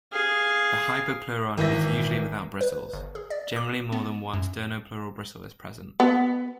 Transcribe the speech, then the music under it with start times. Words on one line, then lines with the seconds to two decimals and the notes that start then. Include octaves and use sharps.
The hypopleuron is usually without bristles; generally, more than one sternopleural bristle is present.
0.12 G#4 F5
1.58 G#1 E3 E5 A#6
2.61 B4
2.93 G1
3.15 G#4
3.30 D5
3.56 D6
3.92 B3
4.34 F#2
6.00 B3